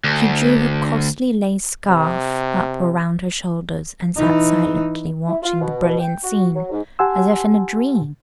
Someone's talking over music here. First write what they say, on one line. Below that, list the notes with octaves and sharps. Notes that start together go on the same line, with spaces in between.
She drew her costly lace scarf up around her shoulders, and sat silently watching the brilliant scene, as if in a dream.
D2
C3
E3 D#4
E4
F4
B2
B2
G5
F#4
F#3
G#2
G4 F#5 G#5 A5 C6 E6